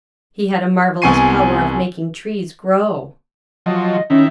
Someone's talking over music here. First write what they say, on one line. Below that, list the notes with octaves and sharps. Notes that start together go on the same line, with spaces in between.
He had a marvellous power of making trees grow.
C2 B3 G#5 C#6 C7 D#7
F3 F#3 D#5
D#3 C#4 E4